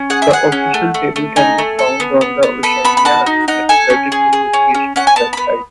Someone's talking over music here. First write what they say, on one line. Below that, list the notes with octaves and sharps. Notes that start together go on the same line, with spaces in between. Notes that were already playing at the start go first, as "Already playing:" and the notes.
The official table can be found on the Oceania Athletics Association website.
Already playing: C#4
G#4 F#5
E5
G#4 F#5
C#4
A3
A3
A3
D#4 G#5
A3
A4
B3
B3
B3
A4 B5
B3 B5
B5
F#4 A5
D#4
D#4 F#5
A4 G#5
C#4
G#4
G#4
C#4
C#4
C#4 F#5
G#5
B3 A5
B3 B5